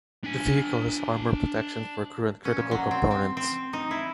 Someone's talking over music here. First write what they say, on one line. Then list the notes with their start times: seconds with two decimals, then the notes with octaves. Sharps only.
The vehicle has armor protection for crew and critical components.
0.24 D4 G#5
2.45 C#4
2.58 A#2
2.71 F#3
2.91 C4
3.11 C4
3.37 C4
3.73 D#4
3.91 E4